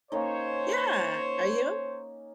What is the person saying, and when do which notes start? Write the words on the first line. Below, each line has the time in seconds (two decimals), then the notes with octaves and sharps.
Yeah, are you?
0.12 A#3 C#4 D#4 C5 C#5